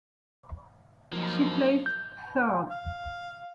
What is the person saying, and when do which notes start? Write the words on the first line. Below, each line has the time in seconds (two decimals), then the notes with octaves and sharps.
She placed third.
1.13 F3 F#3 A#3 D#4
1.86 G6
2.70 F5